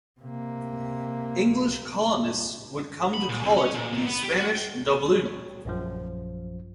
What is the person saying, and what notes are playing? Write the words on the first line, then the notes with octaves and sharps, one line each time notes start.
English colonists would come to call it the Spanish doubloon.
C3 A#3
B5
A#2
C2
C#4
A#2
A#2
B3
G4
F#4
G5
C#5
A#1 F#2 F3